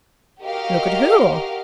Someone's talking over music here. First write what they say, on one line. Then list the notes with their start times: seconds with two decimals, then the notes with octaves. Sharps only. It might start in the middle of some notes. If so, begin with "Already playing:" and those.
"Look at who?"
0.42 F#4 G4 A#4 D#5 F5